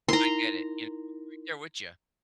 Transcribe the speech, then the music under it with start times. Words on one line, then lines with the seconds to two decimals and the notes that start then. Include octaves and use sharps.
I get it, you know? I'm right there with ya,
0.09 D#4 E4 A#4 A#5 C6